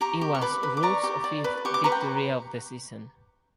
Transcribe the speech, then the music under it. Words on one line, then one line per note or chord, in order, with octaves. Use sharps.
It was Ruud’s fifth victory of the Season.
G4 A#5 C#6
G4
C#6
B4 B5 D6
B4
D6
D5 A#5 C#6
G4
D5
B4
G4 C#6
D6
B4 A#5 C#6
G5